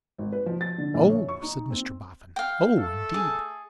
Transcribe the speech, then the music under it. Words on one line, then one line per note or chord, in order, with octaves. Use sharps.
'Oh!' said Mr Boffin. 'Oh indeed!
G#1
B4
F3
A6
D3
A#1
C#5
C#6
D#4
C4
F5 G5
A3 A4
G#4